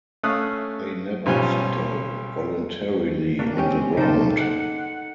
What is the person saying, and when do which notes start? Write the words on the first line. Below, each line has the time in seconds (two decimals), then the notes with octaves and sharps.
They never settle voluntarily on the ground.
0.23 A3 C#4 F5 D#6 F#6
1.26 B1 F3 G3 C#4 G#5
3.39 A#3 D4
3.57 G#3 C4 C#4 G4
3.97 C#3 A#3 D#4 A4 C5
4.40 F#5